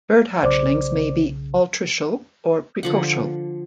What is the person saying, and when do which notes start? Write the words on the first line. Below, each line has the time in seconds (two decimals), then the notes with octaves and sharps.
Bird hatchlings may be altricial or precocial.
0.43 B1 C#3 C5 D5 D6
2.83 D3 F3 F#5